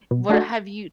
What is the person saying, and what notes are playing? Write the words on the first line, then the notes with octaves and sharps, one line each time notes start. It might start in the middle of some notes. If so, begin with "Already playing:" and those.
What have you
B2
A3 D4 F#4 A4